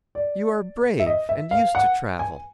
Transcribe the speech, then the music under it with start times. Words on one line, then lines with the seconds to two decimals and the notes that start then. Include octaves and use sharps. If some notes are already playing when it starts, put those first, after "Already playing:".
You are brave and used to travel.
0.15 D5
1.00 E5
1.06 D#5
1.29 E5
1.51 F5
1.75 F#5
2.19 G#5